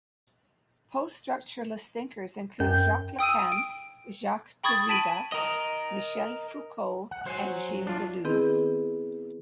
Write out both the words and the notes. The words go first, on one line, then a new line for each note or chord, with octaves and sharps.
Post-structuralist thinkers include Jacques Lacan, Jacques Derrida, Michel Foucault and Gilles Deleuze.
F#2 G5
G5 D#6 E6 D#7
D7
G5 B5 C#6 D#6 G#6 A6
A5 B6 D7 D#7 F#7
A#4 D#5
F#5
F#3 C5 C#5 F#5 G#5
D4 F4
D#3 B3 C4 E4 G#4 B4